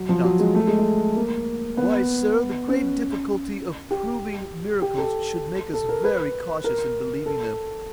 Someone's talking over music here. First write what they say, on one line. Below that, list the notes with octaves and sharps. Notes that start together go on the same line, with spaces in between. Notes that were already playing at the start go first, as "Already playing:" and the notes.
JOHNSON. 'Why, Sir, the great difficulty of proving miracles should make us very cautious in believing them.
Already playing: F#3
F3
F#3
G#3
A3
G#3
A3
A#3
B3
C#4
G4
G4
A4
A4
A#4
B4
A#4
A4